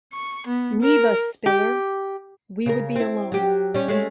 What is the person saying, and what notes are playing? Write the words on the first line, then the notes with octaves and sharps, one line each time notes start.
Leave us, Spiller; we would be alone.
C#6
B3
A#4
G4
C#3 A#4
C4 E4
F#3 G4
G3 C#4
G#3 A3 C#4